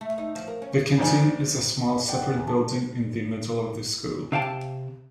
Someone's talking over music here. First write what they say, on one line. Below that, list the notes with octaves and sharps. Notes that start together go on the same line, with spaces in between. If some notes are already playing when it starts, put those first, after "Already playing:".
The canteen is a small, separate building in the middle of the school.
A3
D#4
F3
A#4
C#4
F2 G#2 D#3 D4 G#5
D5 F#5 G5
E2
F#3 A5
C3 F5 G5 A5